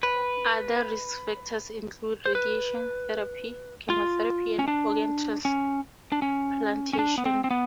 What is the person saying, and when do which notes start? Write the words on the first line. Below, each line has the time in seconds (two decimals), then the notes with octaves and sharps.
Other risk factors include radiation therapy, chemotherapy, and organ transplantation.
0.03 B4
2.26 C5
2.35 B4
3.90 F4
4.59 C#4
4.68 D4
5.45 C#4
6.12 D4
6.22 C#4
6.93 C#4
6.99 D4
7.18 B3
7.26 C4
7.44 C4
7.51 B3